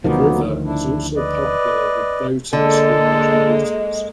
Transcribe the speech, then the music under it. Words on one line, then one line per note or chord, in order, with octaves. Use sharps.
The river is also popular with boaters who use motors.
D2 D#3 F3 F#3 A#3 B3
D4 E4
B4 D5 D#5
D3 G#3 A#3 A4 D#5